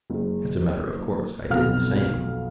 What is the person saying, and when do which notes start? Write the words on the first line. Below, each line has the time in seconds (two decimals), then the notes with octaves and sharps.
As a matter of course I did the same.
0.10 F#1 G#3
1.50 B1 F2 B2 B3 F5 F6